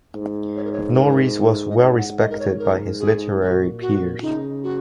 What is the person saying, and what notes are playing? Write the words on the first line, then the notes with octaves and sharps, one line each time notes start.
Norris was well respected by his literary peers.
G#2
C#5
A#4
C#5
A#4
D#5
G#2 C#5
F#5
D#5
A#4
C#5
A#4
G#4
A#2 F#4
F#4
C#3 D#4
F#4